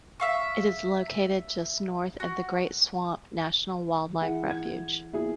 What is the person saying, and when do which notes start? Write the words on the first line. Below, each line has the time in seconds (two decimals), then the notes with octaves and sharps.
It is located just north of the Great Swamp National Wildlife Refuge.
0.20 E5 F5 C#6
2.20 F#4
4.10 E3
4.22 E4 G#4 F#5
4.51 G#6
5.13 A#3 B3 E4 G#4